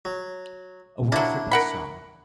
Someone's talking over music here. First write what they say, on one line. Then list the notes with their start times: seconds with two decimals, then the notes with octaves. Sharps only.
Award for Best Song.
0.05 F#3
1.12 F#3 A#3 D4 E4
1.51 A#4 F#5 B5